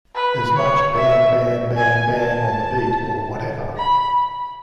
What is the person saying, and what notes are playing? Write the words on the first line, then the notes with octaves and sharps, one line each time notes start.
As much 'bam-bam-bam-bam' on the beat or whatever.
B4
C#5
E5
G#5
A5
B5